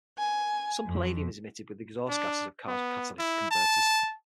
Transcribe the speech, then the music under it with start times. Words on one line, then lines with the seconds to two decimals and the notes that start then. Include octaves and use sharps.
Some palladium is emitted with the exhaust gases of cars with catalytic converters.
0.18 G#5
0.84 F2
2.09 D4
2.68 B3
3.19 E4
3.51 A5